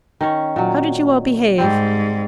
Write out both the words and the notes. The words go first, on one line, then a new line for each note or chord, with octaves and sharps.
How did you all behave?
D#3 C#4 C#5
A#2 F#3
G#2 G3 C4